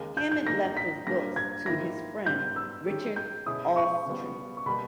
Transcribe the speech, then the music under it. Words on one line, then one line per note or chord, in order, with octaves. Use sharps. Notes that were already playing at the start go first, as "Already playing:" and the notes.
Hammond left his books to his friend Richard Allestree.
Already playing: D#2 C#3 G#3 D#4 A#4
G6
G6
G2 D#3 A#3 D#4 G#4 A#6
B6
G2 G3 A#3 A#6
G#6
G#2 D#3 A#3 E4 A#6
G#2 G3 B3 D#4 G6
E6
D#3 G#3 C#4 G4
G6
B2 G#3 C#4 E4 D#6
C#6
C#3 G3 B3
C#6
B2 G3 A#3 B5